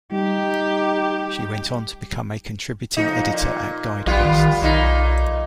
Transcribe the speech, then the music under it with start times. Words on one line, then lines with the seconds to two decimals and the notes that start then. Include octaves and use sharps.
She went on to become a Contributing Editor at "Guideposts".
0.12 G3 D#4 G4
2.97 F2 D#4
3.33 A#2
4.06 A#1 G3 B3 F4
4.25 D#3
4.62 B1 A#2 D#4